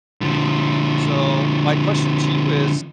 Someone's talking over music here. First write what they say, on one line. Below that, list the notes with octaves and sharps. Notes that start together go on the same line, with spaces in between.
So my question to you is
D3 F3